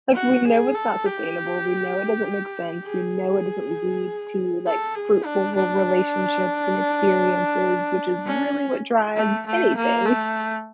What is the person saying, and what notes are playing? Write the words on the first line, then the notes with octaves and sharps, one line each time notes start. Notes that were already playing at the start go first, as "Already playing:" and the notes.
Like, we know it's not sustainable. We know it doesn't make sense. We know it doesn't lead to, like, fruitful re relationships and experiences, which is really what drives anything.
F#4
G#4
A4
G4
G#4
A4
G#4
D4
D4
C#4
A3
A3
A#3
A3